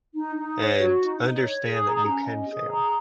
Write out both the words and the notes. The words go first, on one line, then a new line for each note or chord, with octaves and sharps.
and understand that you can fail,
D#4
D#4
C#5
F#4
D#4
D#4
C#5
G#4
A#5
C#4
D#5
G#4
A#5